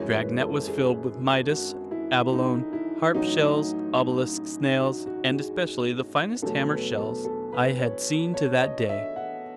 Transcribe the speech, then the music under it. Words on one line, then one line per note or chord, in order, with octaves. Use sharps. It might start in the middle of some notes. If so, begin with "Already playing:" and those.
Our dragnet was filled with Midas abalone, harp shells, obelisk snails, and especially the finest hammer shells I had seen to that day.
Already playing: G#1 F#2 E3 G#3 C#5
B4
A4
G#4
F#4
E4
D#4
E4
A1 A2 F#3 D#4
F#4
F#4
G#4
E2 B2 F#3 A3 A4
B4
A4
A4
B4
C#5
C#5
D#5
E5
F#5